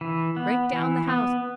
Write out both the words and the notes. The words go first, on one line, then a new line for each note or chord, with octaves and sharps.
Break down the house.
E3
B3
E3
B3